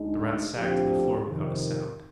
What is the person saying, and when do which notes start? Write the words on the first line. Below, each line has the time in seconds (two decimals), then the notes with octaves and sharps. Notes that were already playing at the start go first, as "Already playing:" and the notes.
The Rat sagged to the floor without a sound.
Already playing: D2 D3 G#3 D#4
0.56 D2 D3 F3 C4 G4
1.27 F2 C3 D#3